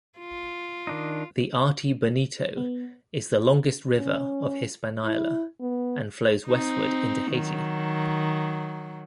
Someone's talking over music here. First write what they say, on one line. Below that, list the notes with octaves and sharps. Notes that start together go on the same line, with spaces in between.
The Artibonito is the longest river of Hispaniola and flows westward into Haiti.
F4
D#3 D4 D#4
B3
C#4
E4
B3
C4 D#4
D#3 F#3